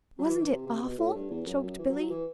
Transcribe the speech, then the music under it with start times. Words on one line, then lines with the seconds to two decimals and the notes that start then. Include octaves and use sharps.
"Wasn't it awful!" choked Billy.
0.18 F#3
0.29 E3
0.40 E3
0.50 C3
0.66 C3
0.83 B2
0.98 A2
1.14 G2
1.30 E2
1.46 F#2
1.62 F#2
1.78 E3
1.89 F#3
1.99 F#3
2.10 E3